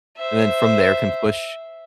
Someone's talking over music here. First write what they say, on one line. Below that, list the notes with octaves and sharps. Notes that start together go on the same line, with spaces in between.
And then from there, can push,
C5 E5